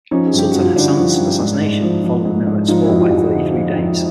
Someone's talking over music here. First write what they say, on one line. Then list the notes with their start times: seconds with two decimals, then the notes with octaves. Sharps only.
Sultan Hasan's assassination followed the minaret's fall by thirty-three days.
0.11 F3 C#4 D#4
0.27 G#4
0.33 G2
0.38 G4
0.51 G2 F#4
0.63 F4
0.75 D3 D4 E4
0.97 F3
1.18 G2
1.40 G#2
1.61 G#2
1.82 F3
2.04 F3
2.25 G#2
2.46 G#2
2.68 F3 D#4 F4
2.85 F2 E4 F#4
3.00 F4 G4
3.11 F2
3.17 F#4 G#4
3.32 D3
3.54 F3
3.76 F2